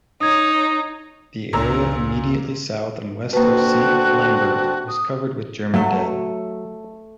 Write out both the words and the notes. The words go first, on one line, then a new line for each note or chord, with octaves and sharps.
The area immediately south and west of Saint Lambert was covered with German dead.
D#4 C#5 D#6 G#6
G1 C#2 A#2 D4 A#5 E6
D2 A#3 C4 F#4 B4 A5
D#6
F#3 A3